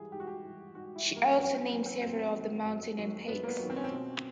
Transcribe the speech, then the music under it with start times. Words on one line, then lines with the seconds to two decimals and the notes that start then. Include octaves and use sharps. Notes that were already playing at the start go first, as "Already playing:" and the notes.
She also named several of the mountains and peaks.
Already playing: G#2 E3 G3 G#4
0.12 G#2 G4
0.20 F#4
0.27 G4
0.43 E3 G3
0.74 G#2 F#4
0.96 E4
1.07 E3 G3
1.16 A#3
1.37 F#2 B3
1.54 C4
1.70 D#3 F#3 B3
1.86 C4
2.01 F#2 C4
2.32 D#3 F#3
2.64 F#2
2.95 D#3 F#3
3.27 F#2 B3
3.43 A#3
3.48 B3
3.59 D#3 F#3
3.70 C4
3.76 C#4
3.84 C4
3.90 B2